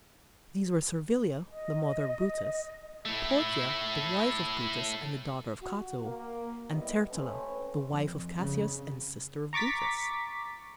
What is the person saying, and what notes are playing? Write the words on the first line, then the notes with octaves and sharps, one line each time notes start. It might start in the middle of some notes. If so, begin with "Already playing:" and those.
These were Servilia, the mother of Brutus, Porcia, the wife of Brutus and the daughter of Cato, and Tertulla, the wife of Cassius and sister of Brutus.
D#5
A3 E4
F#4
A#3
A2 G3 B3 E4 D#5
A3 C4 C#4 A4 B4
F3 C4
C#3
A#5 C#6 D6 A6 B6